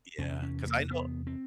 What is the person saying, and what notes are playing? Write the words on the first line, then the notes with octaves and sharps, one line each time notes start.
Yeah, 'cause I know
E2 C3 C#4
C#4
A#3
B3
C4